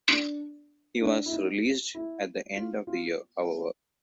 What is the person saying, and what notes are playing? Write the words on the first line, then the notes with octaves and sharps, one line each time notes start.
He was released at the end of the year, however.
D4
D4
E4
D#4
E4
F4
F4